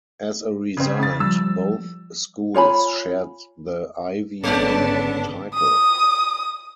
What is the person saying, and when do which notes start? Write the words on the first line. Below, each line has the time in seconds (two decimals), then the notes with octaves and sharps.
As a result, both schools shared the Ivy League title.
0.77 C#3 C4
0.99 C#3 A6
1.20 F3 G3 E6
2.54 F4 C#5 G#5 B5
4.44 G#1 D3 G#3 B3 C#4 D4 D5 A5
5.54 D#6